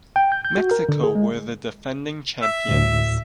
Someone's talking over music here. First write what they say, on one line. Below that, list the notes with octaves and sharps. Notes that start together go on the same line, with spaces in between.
Mexico were the defending champions.
G5
G6
G6
F#4
A#4
D3
G#4
G#3
E5
D2 A2